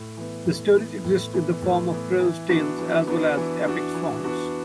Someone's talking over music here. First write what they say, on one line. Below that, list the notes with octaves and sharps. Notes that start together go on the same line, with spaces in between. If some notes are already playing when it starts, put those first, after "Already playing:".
The stories exist in the form of prose tales as well as epic songs.
Already playing: A2
E3 B3
A2
E3 B3
A2
E3 B3
A2
E3 B3
E3
B3 D4 F#4
E3
B3 D4 F#4
E3
B3 D4 F#4
E3
B3 D4 F#4